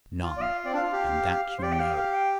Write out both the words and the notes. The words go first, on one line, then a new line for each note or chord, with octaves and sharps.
None: and that you know.
F4
D5
F5
C4 D5
D4 F5
F4
G4
C5
G4 D5
G5
F5
F5
G5